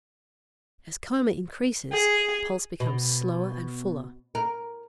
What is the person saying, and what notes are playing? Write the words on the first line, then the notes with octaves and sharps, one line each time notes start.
As coma increases, pulse becomes slower and fuller.
G#4
B2
A#4